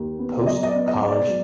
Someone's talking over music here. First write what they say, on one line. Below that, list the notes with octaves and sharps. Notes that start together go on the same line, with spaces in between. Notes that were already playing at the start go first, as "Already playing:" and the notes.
Post College.
Already playing: D#2
B3
D5
F#3 D#5
D#5
D5
B3
D#5
B3
D5
F#3